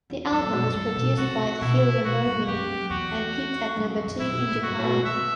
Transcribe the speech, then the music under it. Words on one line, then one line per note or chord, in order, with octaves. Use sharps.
The album was produced by Phil Ramone and peaked at number two in Japan.
E2
F#2 A4
G2
B2
F#2
G2 A4
B2
C3 F#4
B2 E4
B2 F#4
G2
F#2 G4
E2 F#4
G2
F#2
E2
F#2
A2 E4
B2
A2
A2
G2 F#4
A2
B2
C3 E5